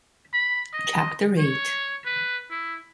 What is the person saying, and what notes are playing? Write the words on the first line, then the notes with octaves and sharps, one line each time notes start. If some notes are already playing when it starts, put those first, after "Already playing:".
Chapter eight.
B5
D#5
C#5
B4
E4